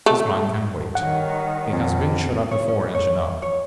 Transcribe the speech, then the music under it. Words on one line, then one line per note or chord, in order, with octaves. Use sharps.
This mine can wait; it has been shut up before, as you know.
A3
D#3 G3 C#5 F#5
F2
C#5
C#4
C#5
C#5